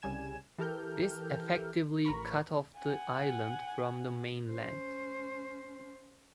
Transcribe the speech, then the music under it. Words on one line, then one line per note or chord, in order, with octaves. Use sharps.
This effectively cut off the island from the mainland.
C2 C#3 G3 G#5 G#6 E7
E3 G4 A4 A#4 F6 G6
A1 A#4 A#5 B5 C#6
F#5 G#5
C#4 C5